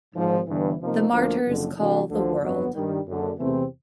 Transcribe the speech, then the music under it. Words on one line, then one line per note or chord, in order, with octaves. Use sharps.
The martyrs call the world.
G#1 G#2 F3
G1 G2 E3
C3 F3 A#3 D#4
D2 D3 F3 A#3
F#1 F2 D3
C3 E3 A3 D4 F#4
D2 D3 F3
G1 F2 D3 F#3 B3
G2 D#3 G3
F#1 F#2 D3
E2 C3 E3 A3 C4